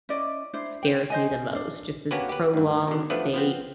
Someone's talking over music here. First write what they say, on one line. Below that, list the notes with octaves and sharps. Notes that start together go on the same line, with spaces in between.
scares me the most. Just this prolonged state
C#4 E4 D5 D#5
D4 E4 C5
C5 G5
C5 D#5 G#5
D4
A#3 B3 C#4 F#4 G4 B4
G4 B4
D2 G2
B2 D3
E3 F3 A3 B3 D4 B4
F3 B3 C4